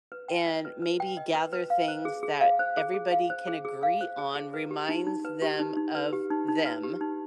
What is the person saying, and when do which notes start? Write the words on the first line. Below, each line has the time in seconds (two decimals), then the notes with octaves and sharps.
and maybe gather things that everybody can agree on reminds them of them.
0.12 B4
0.28 G5
0.46 D#5
0.65 B4
0.82 B4
1.00 G5
1.17 D#5
1.35 B4
1.53 B4
1.70 F5
1.88 C5
2.05 G#4
2.23 G#4
2.41 F5
2.59 C5
2.77 G#4
2.94 G#4
3.12 F5
3.30 C5
3.48 G#4
3.65 G#4
3.83 F5
4.01 C5
4.18 G#4
4.35 G#4
4.54 B4
4.71 G4
4.89 D#4
5.07 D#4
5.25 B4
5.42 G4
5.60 D#4
5.77 D#4
5.95 B4
6.13 G4
6.31 D#4
6.49 D#4
6.65 B4
6.84 G4
7.01 D#4